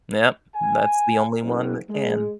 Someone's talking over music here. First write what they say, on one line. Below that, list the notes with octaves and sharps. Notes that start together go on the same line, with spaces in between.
Yep, that's the only one that can.
G#5
F#1
G#3